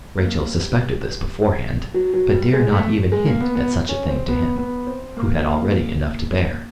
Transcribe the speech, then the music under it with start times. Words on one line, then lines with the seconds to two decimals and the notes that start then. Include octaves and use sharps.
Rachel suspected this beforehand, but dare not even hint at such a thing to him, who had already enough to bear.
0.18 A#3
0.48 G3
1.94 F#3
2.14 F#3
2.33 G3
2.53 G#3
2.73 A3
3.12 G#3
3.26 A#3
3.41 B3
3.55 B3
3.89 C#4
4.08 C4
4.28 B3
4.58 B3
4.87 C4
5.17 A#3
5.45 A#3